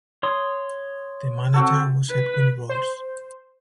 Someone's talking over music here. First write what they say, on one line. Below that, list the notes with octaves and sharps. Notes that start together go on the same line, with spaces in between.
The manager was Edwin Ralls.
C#5 C6 D#6
C4 F#4 A4
B4
C5